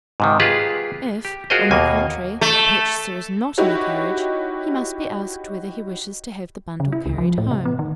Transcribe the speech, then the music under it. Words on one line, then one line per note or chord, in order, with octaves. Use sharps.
If, on the contrary, the purchaser is not in a carriage, he must be asked whether he wishes to have the bundle carried home.
G#2 C3 D#3
F4 G4 G#4 B4
G4
F4 F#4 G#4 A#4 C5 D#5
D#2 B2 A#3 G#5
A3
D#4 E4 F#4 G4 C#5
C#3
E4
C#2
F3
A2
C3
B3
D#3